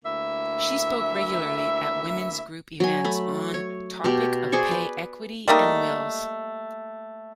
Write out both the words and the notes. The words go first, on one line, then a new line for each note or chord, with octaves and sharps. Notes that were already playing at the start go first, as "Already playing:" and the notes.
She spoke regularly at women's group events on topic of pay equity and wills.
D2 A#3 E4 E5
F#3 G#5
A3 B5
C#5
B2 G4
G#4 C5 D5 C#6
B4
G3 A3 A#3 D#4